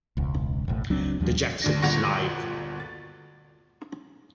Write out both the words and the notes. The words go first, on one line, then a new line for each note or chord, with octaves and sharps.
The Jacksons Live!
E1 C#2
E1 A1 A2
C#2 F#3 C4 D4
D#2 F3 G3
D2 D4 A#6
G1 D2 A#2 F#5 C#6 A#6
A6